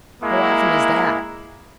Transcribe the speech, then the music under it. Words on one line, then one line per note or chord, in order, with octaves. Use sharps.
"How often is that?"
G#3 A#3 E4